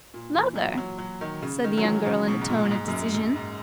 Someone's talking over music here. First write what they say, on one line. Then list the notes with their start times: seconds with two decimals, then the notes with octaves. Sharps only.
"Mother!" said the young girl in a tone of decision.
0.14 A#2
0.35 E3
0.56 F#3
0.78 F#3
0.99 F#3
1.21 D#3
1.42 C#3
1.64 D#3
1.78 F#3
1.85 E3
2.06 C#3
2.28 B2
2.41 G#2
2.50 A#2
2.71 G#2
2.88 F#2
2.93 G#2
3.14 F#2
3.36 G#2